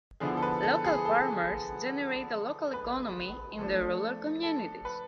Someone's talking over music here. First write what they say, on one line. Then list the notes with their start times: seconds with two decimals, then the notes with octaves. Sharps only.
Local farmers generate a local economy in their rural communities.
0.20 D3 F3 B3 E4 G#4
0.37 A4
0.43 B4
0.63 A4
0.85 G#4
1.05 A4
2.74 B4
3.59 F3 A3 D4 A4
4.43 A4
4.85 B4